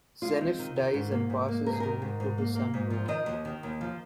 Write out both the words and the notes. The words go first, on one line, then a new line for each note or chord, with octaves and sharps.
Zeniff dies and passes rule to his son Noah.
G#3 F4
C4
D#3
D#3
G#2
A#3
G#2
A#3
G#2 A#4
G#4
D#3 A#4
G#2
G#2
A#3
A#3
G#2
F3
D#3 D#5
D#2
D#3
D#2
F3